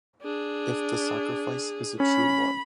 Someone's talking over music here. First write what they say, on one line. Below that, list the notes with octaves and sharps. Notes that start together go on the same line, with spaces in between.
If the sacrifice is a true one.
D4 G#4
C#4 B5